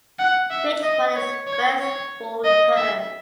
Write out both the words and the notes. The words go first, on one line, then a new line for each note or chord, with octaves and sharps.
Fitch won his first full term.
F#5
E5
D#5
C#5
C#5
C#5
D#5
E5